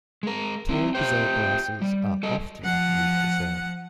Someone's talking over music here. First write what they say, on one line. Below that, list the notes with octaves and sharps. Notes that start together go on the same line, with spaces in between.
Tall dessert glasses are often used to serve.
G#3 A#4
C4 E4
F4 G4 C5 G5
G3
G3 A4 D#5
F3 F#5